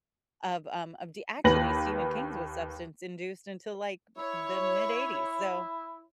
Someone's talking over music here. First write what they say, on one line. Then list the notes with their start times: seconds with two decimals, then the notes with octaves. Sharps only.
of, um of the actually Stephen King's was substance-induced until, like, the mid-eighties, so
1.44 D#2 B4 A#6 F#7
4.18 E4 C#5